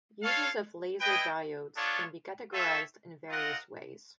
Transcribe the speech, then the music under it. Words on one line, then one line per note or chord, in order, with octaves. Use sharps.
Uses of laser diodes can be categorized in various ways.
F4 A4 C#5 F5
E4 G#4 B4 D#5 G5
B3 D4 F4 A4 C#5
C4 F4 A4 C#5 E5
C4 F4 A#4 D#5 F#5